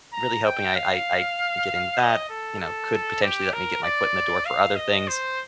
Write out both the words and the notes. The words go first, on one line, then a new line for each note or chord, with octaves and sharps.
really hoping I I I get into that, you know, could potentially let me get my foot in the door for other things.
A#5
G5
F5
D#5
A4
A4
G4
A#4
D5
F5
D#5
C5